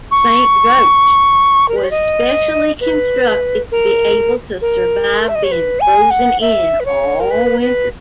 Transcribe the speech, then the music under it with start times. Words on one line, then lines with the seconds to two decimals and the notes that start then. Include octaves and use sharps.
"Saint Roch" was specially constructed to be able to survive being frozen-in all winter.
0.11 C#6
1.68 A#4
1.76 B4
1.83 C#5
1.91 D#5
2.80 B4
3.71 A#4
4.61 A#4
5.28 E5
5.35 D#5
5.43 C#5
5.51 B4
5.80 G#5
6.10 F#5
6.41 E5
6.80 B4
6.85 C#5
7.20 A#4
7.30 B4
7.61 B4